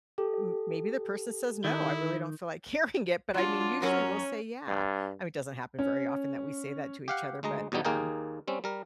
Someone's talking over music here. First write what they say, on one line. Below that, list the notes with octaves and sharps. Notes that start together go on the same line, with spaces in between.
m maybe the person says, "No, I really don't feel like hearing it," but, I mean, usually, we'll say, "Yeah." I mean, doesn't happen very often that we say that to each other, but, um,
G4 A4
D#3 E4
F#3 D4 F4
F#2 F#3 C#4 A#4
G2
C#4
G4 F5 F#5
D2 G#3 D#5 A#5
E2 B2 G3 B3 D#4
D#2 A#3 G#4 A#4 D#5 G5
G3 C4 C#4
G3 A#4